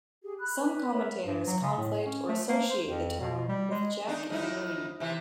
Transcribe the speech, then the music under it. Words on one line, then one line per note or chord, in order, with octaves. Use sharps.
Some commentators conflate or associate the term with "Jack in the Green".
G4 G#4
B5 F#6
B4
A#4 B4 C#5 E5
G2
F#3
C#3
A2
C#4
A3
A#3
C5
F2
B2
G3
G#3
D4 D#4
F2 D#4 E4
C3 E3